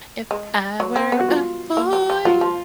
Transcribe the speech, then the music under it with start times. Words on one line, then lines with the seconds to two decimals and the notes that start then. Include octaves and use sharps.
If I were a boy,
0.31 G#3
0.80 F#3
0.96 C4
1.12 B3
1.20 F#4
1.28 F4
1.77 A#3
1.93 F#3
2.10 F3
2.25 F#3 F4
2.41 F3